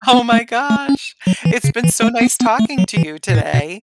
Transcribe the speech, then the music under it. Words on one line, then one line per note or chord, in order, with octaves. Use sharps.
Oh my gosh, it's been so nice talking to you today.
B3
A3
A3
C#4
F#3
E3
C#3
E3
A3
B3
B3
A3
F#3
E3
B2
A2
B2